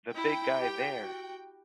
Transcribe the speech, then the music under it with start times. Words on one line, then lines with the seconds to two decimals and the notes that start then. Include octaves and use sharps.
The big guy there!
0.14 E4 G5
0.57 G4
1.01 F#4